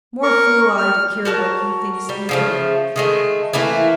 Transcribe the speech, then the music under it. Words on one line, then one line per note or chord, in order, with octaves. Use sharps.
More fool I to care what he thinks either!
A#4 C#6
F6
F#4 A#4 A5 A#5
G3
C#3 F3 A3
D#3 G#3 A3
E3 A3 A#3 E4